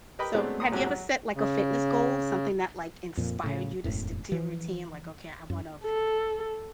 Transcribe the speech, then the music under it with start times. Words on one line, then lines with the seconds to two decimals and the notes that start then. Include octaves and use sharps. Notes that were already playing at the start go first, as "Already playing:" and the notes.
so, have you ever set, like, a fitness goal, something that, like, inspired you to stick to your routine, like, "Okay, I wanna
0.19 G4 A#4 B4 D#5 G5 B5
0.35 F#3 G#3 A3 B3 C4 D4
0.60 A#2 A#5 C6 D#6
0.72 A1 E2 F#3 F#4 G4
0.86 F#3
1.35 C#3
3.17 F2 A#2 F3
3.44 A2 C#3
3.84 E1 F#2 A2
4.32 E3 F3
5.50 F#2
5.84 A4